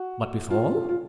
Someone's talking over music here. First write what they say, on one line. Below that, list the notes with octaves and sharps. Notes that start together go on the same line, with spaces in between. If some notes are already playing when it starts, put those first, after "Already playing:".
"But before--?"
Already playing: F#4
F4
F4